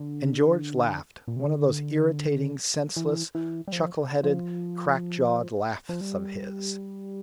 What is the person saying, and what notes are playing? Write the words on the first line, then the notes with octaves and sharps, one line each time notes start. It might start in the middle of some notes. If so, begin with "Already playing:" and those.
And George laughed--one of those irritating, senseless, chuckle-headed, crack-jawed laughs of his.
Already playing: D3
A#2
C3
D3
E3
E3
G3
F3
F3
F3
G3